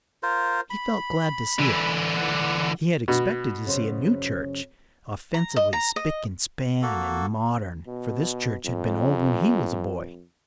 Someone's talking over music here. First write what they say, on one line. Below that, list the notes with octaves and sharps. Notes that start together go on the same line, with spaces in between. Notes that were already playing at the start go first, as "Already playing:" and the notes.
He felt glad to see it; he had expected to see a new church, offensively spick-and-span and modern, for this church had been old when he was a boy.
F4 A#4 C5
B5
D3 E3
F#5
B2
F#2 C#3 C5
A#5
D#5
A#5
D#5
A#3 F#4 A4
B2
F2